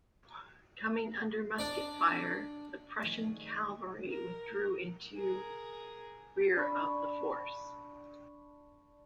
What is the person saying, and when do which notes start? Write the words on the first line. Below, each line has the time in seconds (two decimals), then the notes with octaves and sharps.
Coming under musket fire the Prussian cavalry withdrew into rear of the force.
1.59 D4 D5
3.02 D#3 F3 A3 G#4 D5
4.10 A#4
5.17 G#4 A#4
6.56 D4 B5 C#6 E6